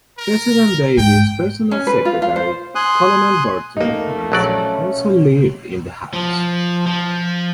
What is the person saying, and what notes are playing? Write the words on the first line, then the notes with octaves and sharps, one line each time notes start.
President Davis' personal secretary, Colonel Burton Harrison, also lived in the house.
A#4
G#2 G5
C#4
B4
F4
F4
C5
G#5 C6 D#6 F#6
A3 A#3 D#4
A#1 F#3 C#4 D5
F3
F3